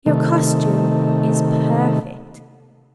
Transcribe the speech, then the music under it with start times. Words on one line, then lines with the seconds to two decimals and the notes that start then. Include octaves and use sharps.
"Your costume is perfect."
0.06 C3 D#3 A3